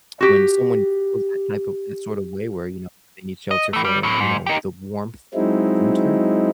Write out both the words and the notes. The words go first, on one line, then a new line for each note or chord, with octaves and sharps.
when someone goes that type of that sort of way where, you know, they need shelter for, you know, the warmth of winter,
F#4 G4
D#5
E3 A3
G3
A2 F#3
G#2
D#4 G4
F#3 G#3 C4 D#4 E4